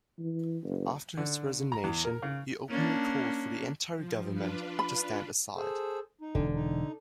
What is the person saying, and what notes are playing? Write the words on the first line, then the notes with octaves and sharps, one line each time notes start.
After his resignation, he openly called for the entire government to stand aside.
E3
F#1
D3
A#5
E2
A#4
C#3
A#3 C#4 D4
F3
D4 F4 B4
B5
G#4 A4 C5
D#4
E1 E2 D3
D#4